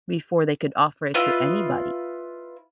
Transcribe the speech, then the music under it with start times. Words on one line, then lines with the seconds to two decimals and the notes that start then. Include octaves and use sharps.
before they could offer it to anybody.
1.14 E4 F4 B4 D#5